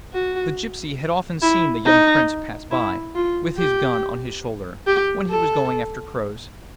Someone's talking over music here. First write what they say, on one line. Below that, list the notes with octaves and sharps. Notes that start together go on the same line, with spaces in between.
The gypsy had often seen the young Prince pass by, with his gun on his shoulder, when he was going after crows.
F#4
E4
D#4
E4
F4
G4
G4
A4